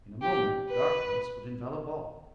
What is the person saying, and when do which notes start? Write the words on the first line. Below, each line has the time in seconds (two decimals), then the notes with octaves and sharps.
In a moment darkness would envelop all.
0.22 G4
0.70 B4